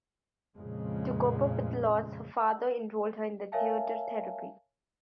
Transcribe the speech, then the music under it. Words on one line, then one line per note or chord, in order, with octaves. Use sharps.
To cope with the loss, her father enrolled her in theater therapy.
F2 A#2 C#3 G#3
A#4 C#5 E5 F5 G#5 A5